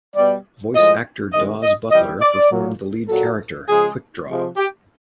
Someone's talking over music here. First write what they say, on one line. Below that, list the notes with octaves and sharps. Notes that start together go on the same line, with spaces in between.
Voice actor Daws Butler performed the lead character, Quick Draw.
B2 G3 D5
A2 F3 G#3 D#5
C3 D#3 G#3 D#5
D#5
C3 E3 G3 D#5
D5
A#2 F#3
A#2 F#3 A4
C#3 F3 G#3 G#4
C3 F3 G#3
G4